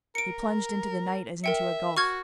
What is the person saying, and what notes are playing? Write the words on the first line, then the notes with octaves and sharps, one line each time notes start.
He plunged into the night as into a gulf.
A#4 C#7 D7
A#4 E5 G5 C#7
F#4 C#6 F6 G#6